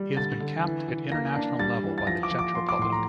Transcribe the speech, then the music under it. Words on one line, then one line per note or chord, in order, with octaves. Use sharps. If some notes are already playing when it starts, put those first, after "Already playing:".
He has been capped at international level by the Czech Republic.
Already playing: G3
D3 A6
D3
E3
E3
A#3 A#6
D4
G3 A6
E3
A6
F3 A#6
D6
F3
D6
F3 C6
D6
A2 C6
A#5